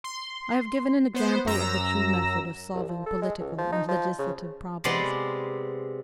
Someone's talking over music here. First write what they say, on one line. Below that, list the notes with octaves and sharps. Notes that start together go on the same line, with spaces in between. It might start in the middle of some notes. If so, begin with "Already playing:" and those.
I have given an example of the true method of solving political and legislative problems.
C6
B3 C5
F#2 A#5 E6 A#6
C2
F3
A4
G#3
C#2
F3
D#4
F3
C#3
C3 G#3 B3 D5 C6